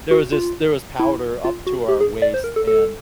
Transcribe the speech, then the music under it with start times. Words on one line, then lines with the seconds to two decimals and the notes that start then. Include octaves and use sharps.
there was this there was powder up to our waist and,
0.11 F#4
0.32 F4
1.00 E4
1.45 F4
1.67 F#4
1.89 G4
2.01 G#4
2.22 D5
2.34 C5
2.44 A#4
2.56 A4
2.67 A4